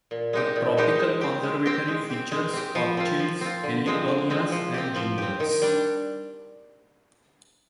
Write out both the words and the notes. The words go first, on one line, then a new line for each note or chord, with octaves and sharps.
A tropical conservatory features orchids, heliconias, and gingers.
A#2
G#3 D#4 G4
A#2
G#3 D#4 G4
G#3
C4 G4
G#3
C4 G4
G#3
C4 G4
G#3
C4 G4
F3
C4 F4
F3
C4 F4
D3
F3 G#3 C4
D3
F3 G#3 C4
F3
C4 G4
F3
C4 G4
D#3
G3 D4